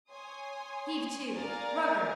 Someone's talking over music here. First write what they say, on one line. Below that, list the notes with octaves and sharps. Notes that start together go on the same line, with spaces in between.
Heave to. Rugger.
C#5 G#5 C6 D#6
A#4 D5 F5 G#5 A#5 A6